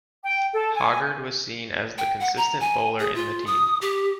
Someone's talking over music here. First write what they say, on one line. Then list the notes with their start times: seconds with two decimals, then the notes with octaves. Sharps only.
Hoggard was seen as the consistent bowler in the team.
0.24 G5
0.54 A4
0.75 G#5
1.98 G5
2.20 F#5
2.37 A#5
2.60 G#5
2.99 G#4
3.15 F4
3.47 D#6
3.81 G4